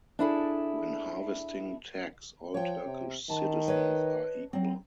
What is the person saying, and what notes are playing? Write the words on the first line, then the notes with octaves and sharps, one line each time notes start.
When harvesting tax, all Turkish citizens are equal.
D4 E4 G#4 A4
F3 C#5 G5
C3
D#3 A5
B4 C#5 D#5
F#3 C4